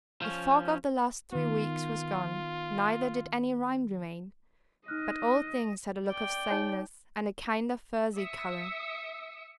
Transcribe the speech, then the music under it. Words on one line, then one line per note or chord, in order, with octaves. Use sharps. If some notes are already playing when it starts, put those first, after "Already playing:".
The fog of the last three weeks was gone, neither did any rime remain; but all things had a look of sameness, and a kind of furzy colour.
F3 C#4
D#3 B3 F4
D#4 D#5 F6 F#6
D5 G5
D#4 C#5
E5 D#6 E6 C#7